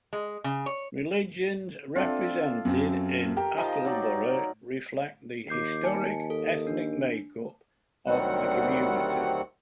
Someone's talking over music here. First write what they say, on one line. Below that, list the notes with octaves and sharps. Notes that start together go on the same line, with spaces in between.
Religions represented in Attleboro reflect the historic ethnic makeup of the community.
G#3
C#3
C#5
C4 D4 F4 A4 E5
F#2 F#3 C4
G4 A#4 G5
F3 D#4 D#5
F#3 D#4 D5
D#2 D6 G6 C7
G#5 A5 C#7
A4
D4
D2 D#3 F#3 G3 C4 F#5